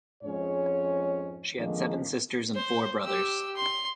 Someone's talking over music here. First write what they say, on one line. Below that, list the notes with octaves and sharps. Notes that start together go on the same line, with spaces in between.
She had seven sisters and four brothers.
F2 G#2 G#3 C#4 C5 C#5
F2 D3 D#3 F3 G#3 A#3
C5
G4 E6
C6